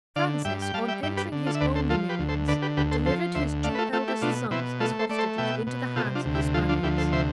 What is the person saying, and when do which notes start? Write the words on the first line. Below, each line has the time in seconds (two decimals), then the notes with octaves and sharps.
Francis, on entering his own dominions, delivered his two eldest sons as hostages into the hands of the Spaniards.
0.16 D3 D5 F5
0.45 G2 E5 G5
0.62 G5
0.74 G3 F5 A5
0.88 E5 G5
1.03 G2 E5 G5
1.17 G4 B4
1.32 D3
1.46 F4 A4
1.55 E5
1.61 D2 B4 D5
1.75 A4 C5
1.90 F3 F4 A4
2.09 G4 B4
2.19 D2
2.28 A4 C5
2.48 D3 B4 D5
2.62 G4 B4
2.77 D2 G4 B4
2.91 A4 C5
3.06 F3 A4 C5
3.35 D2 C5 E5
3.64 A3 D5 F5
3.75 B4
3.78 F4 A4
3.93 A3 F4 A4
4.08 E4 G4
4.21 B2 D4 F4
4.51 B2 C4 E4
4.80 A3 F4 A4
4.99 A4 C5
5.09 A3 D5
5.19 A4 C5
5.38 B2 E5 G5
5.67 B2
5.96 C3 F4 A4
6.15 D4 F4
6.25 D2
6.35 E4 G4
6.54 F3 F4 A4
6.69 D4 F4
6.83 D2 E4 G4
6.97 A4 C5
7.12 C3 C5 E5